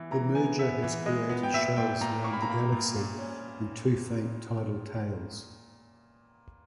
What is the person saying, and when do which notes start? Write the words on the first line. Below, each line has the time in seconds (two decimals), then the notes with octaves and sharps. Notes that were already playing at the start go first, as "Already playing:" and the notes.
The merger has created shells around the galaxy and two faint tidal tails.
Already playing: E3 B3
0.11 E3 A#5
0.35 B3 G#5
0.59 B3 E5
0.82 E3
1.06 G#3 D#5
1.29 B3
1.43 G5
1.54 A#2 E5
1.77 A#2 G5
2.01 A#2 A#5
2.24 A#3 C#6
2.33 B5
2.42 A#5
2.49 A#3 B5
2.72 A#2
2.96 A#2
3.19 C#4